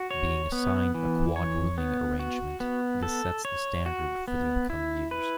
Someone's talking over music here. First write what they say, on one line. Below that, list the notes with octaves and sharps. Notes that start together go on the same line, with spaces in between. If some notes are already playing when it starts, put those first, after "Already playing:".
Being assigned a quad rooming arrangement, this sets the standard for the upcoming years.
Already playing: F#4
C#5
B3
E3
C#5
B3
F#4
B3
A4
C#5
F#4
B3
E4
B4